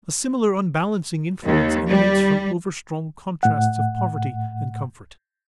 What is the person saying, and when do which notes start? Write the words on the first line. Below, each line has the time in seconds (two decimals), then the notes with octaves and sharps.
A similar unbalancing influence emanates from overstrong contrasts of poverty and comfort.
1.45 D#2
1.87 G3
3.43 A2 F#5